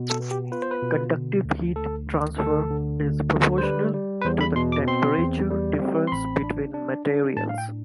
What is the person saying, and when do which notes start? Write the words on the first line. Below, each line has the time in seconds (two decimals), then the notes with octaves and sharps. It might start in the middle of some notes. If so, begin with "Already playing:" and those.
Conductive heat transfer is proportional to the temperature difference between materials.
Already playing: B2
0.10 A4
0.20 B3
0.31 G4
0.52 F4 B4
0.62 C5
0.71 B4
0.83 B2
1.15 D3
1.45 D2
1.76 D2 A4
2.07 D3
2.39 D2 A4
2.70 D3
3.00 D2
3.32 D3
3.58 C5
3.63 G3 B4
3.94 G3
4.22 B4
4.25 E2 C5
4.41 B5
4.56 B2 C6
4.72 D6
4.87 C4 C6
5.19 E2
5.51 G3
5.82 C4
6.07 C6
6.12 A1 B5
6.43 D4
6.74 D4
7.06 D4
7.36 A2 A5
7.49 F5
7.58 G5
7.68 D4